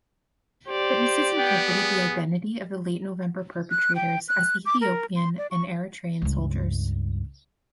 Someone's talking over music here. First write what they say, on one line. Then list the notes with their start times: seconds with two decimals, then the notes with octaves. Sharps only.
Witnesses interpreted the identity of the late November perpetrators as Ethiopian and Eritrean soldiers.
0.68 G4 C5 D5
1.38 B3 G5
1.68 G#4
3.71 F#6
3.95 G5
4.29 F#6
4.66 D6
4.81 A#4
5.16 C6
5.38 D5
5.51 C#6
6.22 C#2 G2